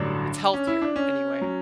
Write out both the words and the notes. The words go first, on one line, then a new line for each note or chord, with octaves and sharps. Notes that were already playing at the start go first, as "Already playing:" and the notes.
It's healthier, anyway.
Already playing: A1 G2 D3 F#3 D4
C#4
E4
D4
C#4
F#3